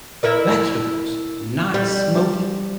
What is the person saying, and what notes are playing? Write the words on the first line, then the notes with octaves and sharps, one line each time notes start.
vegetables, not smoky.
E4 A#4 D5
G3